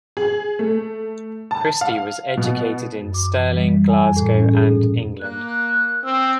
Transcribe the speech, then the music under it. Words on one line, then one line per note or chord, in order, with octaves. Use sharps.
Christie was educated in Stirling, Glasgow and England.
G#4
A3
A5
F5
B2
F#2
D6
E3
G3
G3
G#5
F2
A2
C#4
G#4
A#2
A#3 F#6
C4 E6